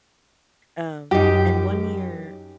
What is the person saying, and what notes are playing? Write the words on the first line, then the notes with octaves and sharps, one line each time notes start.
Um, and one year,
F#2 D#4 G4